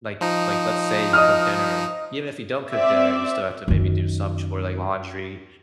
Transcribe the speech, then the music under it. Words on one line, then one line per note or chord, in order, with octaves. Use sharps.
like like, let's say you cook dinner, even if you don't cook dinner, you still have to maybe do some chore like laundry
F3 D#4
D#5 D#6 F6
C4 D5 E5
F#2 D#3